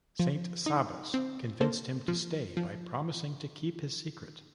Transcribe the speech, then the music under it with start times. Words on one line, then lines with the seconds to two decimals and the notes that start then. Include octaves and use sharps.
Saint Sabas convinced him to stay by promising to keep his secret.
0.19 F3
0.66 D#4
1.14 C4
1.61 A#3 A4 C5
2.08 F3
2.57 F3